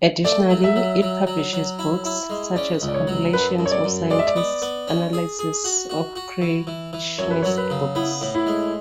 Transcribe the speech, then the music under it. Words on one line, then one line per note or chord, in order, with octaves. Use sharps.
Additionally, it publishes books, such as a compilation of scientific analyses of creationist books.
A3 D5
F#3
E5
F#3
F#3
F#3
F#3
E4
E4
G#3
C#4 D5
C#2
D5
C#5
F#3
F#2 B4
F#2
C#5
D5
F#2
G#3 D5
E5
D5
B3
B3
C#4
G#4
G#4
F#4
F#4
F#4
E3
E3
E3
F#2 C#5
B4
F#3 C#5
B4
C#3
B3 E4
A2
E4
G#3